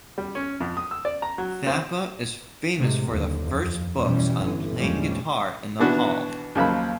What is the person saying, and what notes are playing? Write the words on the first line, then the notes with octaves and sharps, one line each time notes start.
Thapa is famous for the first books on playing guitar in Nepal.
G3
C#4
F2
D#6
E6
D5
A#5
F#3
C4
A2 C3 G#3
F#1 D#2 D3
F2 F3
B2 E3 G3 C#4
G1 D3 E3
E2 A#2 F3 G3 G#3 C#4
B2 D#3 E3 D4 F#4 B4
D#2 C#3 F3 F#3 A#3 B5